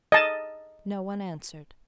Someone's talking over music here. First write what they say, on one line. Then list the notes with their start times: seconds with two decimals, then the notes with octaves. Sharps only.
No one answered.
0.12 D#5 A5